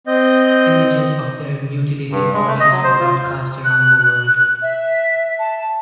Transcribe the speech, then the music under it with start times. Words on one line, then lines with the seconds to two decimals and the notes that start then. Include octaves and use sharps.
Images of their mutilated bodies were broadcast around the world.
0.07 C4 D#5 G6
2.12 G2
2.34 G#3
2.47 A3
2.60 D#5
2.71 F#3
2.84 C5
3.00 F4
3.65 F#6
4.00 F#6
4.62 E5
5.39 A5